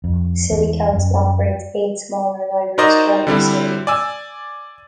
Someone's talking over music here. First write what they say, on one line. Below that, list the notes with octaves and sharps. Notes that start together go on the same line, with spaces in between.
The city council operates eight smaller libraries throughout the city.
F2
E2
F#2
D#4 F#4 A#4 C5 D5 D#5
D3 G3 C4 E4
D5 G#5 E6